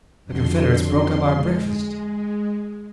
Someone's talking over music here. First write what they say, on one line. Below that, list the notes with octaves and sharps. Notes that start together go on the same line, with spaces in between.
The Confederates broke up our breakfast.
F2 D3 F#3 C6
G#3